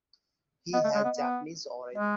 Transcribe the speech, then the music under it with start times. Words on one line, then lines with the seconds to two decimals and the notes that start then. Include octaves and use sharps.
He has Japanese origin.
0.73 B3 D#5
0.84 A3
0.95 G#3
1.04 B3
1.14 B3
1.95 G#3 D#5